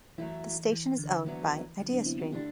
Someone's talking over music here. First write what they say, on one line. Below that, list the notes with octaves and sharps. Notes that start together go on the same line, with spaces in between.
The station is owned by Ideastream.
F#2 E3 F#3 A3 E4
E3
D3
D2 D3 E3 F#3 B3 E4
D3 F#3
B3 D4
C4 E4
D4 F#4
D3 A3 D4 E4 G4